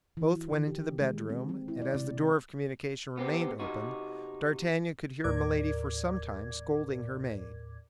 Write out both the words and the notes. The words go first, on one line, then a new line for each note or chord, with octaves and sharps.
Both went into the bedroom, and as the door of communication remained open, d'Artagnan could hear Milady for some time scolding her maid.
E3
F#4
D#3
G4
G#3
C4
C4
E4
D5
C3
B3 C4 G4
C3 D#4 F#4
D#2 A2 A#4 D5 D6 G#6